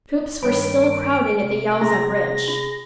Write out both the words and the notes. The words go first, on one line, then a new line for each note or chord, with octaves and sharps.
Troops were still crowding at the Yauza bridge.
G2 D#3 C4 C#5 B5 D7
C3
G#4 A#5 C6 A#6
F4